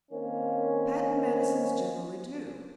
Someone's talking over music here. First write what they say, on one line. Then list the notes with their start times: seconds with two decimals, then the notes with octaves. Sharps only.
Patent medicines generally do.
0.12 D#3 A#3 C4 C#4